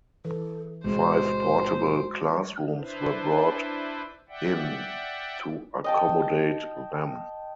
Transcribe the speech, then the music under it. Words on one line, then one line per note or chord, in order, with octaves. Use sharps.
Five portable classrooms were brought in to accommodate them.
E3 A4
B1 A2 C3 G#3 F#4 C5
D4 E4 B4 C5
D5 E5 F#5 G5
D#5 G5 A5